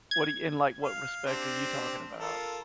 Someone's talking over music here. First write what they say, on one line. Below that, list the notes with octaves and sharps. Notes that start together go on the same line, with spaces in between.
What do y in, like, what respect are you talking about?
G#6
F5
C4 D4 G4
F4 A4 A#4